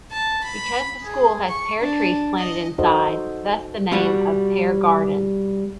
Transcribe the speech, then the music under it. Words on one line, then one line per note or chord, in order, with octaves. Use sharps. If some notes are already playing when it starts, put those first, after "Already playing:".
Because the school has pear trees planted inside, thus the name of "pear garden".
A5
B5
G#4
C#6
D4
D#5
D#4 F#4 A4 C5 D#5
B2 G3 F#4